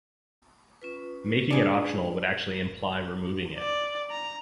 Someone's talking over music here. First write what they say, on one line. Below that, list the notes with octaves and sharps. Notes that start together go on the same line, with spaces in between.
Making it optional would actually imply removing it.
C#4 F4 B4
D4 G#4
D5
A#5